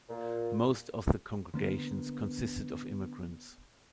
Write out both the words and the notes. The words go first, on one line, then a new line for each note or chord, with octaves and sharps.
Most of the congregations consisted of immigrants.
A#2
D3 A#3 B3